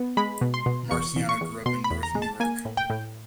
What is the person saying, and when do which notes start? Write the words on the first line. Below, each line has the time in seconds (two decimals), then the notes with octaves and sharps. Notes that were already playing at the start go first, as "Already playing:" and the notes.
Marciano grew up in north Newark.
Already playing: B3
0.17 G#3 B5
0.41 B2
0.54 C6
0.66 B2
0.91 E2 C#6
1.16 E2
1.29 C#6
1.41 E2
1.66 B2 C6
1.84 B5
1.91 E2
2.03 A#5
2.15 G#3
2.22 A5
2.40 A#3 G#5
2.65 A2
2.77 G5
2.90 A2